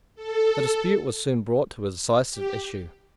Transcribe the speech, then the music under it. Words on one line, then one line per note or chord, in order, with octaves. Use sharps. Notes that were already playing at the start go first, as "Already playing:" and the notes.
The dispute was soon brought to a decisive issue.
A4
G4